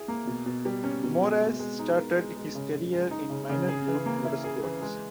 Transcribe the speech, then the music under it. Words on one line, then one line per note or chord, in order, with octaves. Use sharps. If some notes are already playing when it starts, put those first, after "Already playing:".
Moraes started his career in minor youth motorsports.
Already playing: E4 G#4
A#3
B2
B2
G3
C#4
B2
B2
G#3
G#3
D#4
A#4
G#3
G#3
C#3
C#3
G#3
D#4
C#3
C#3
G#4
E3
A#3
E4
G#4
E3
G#3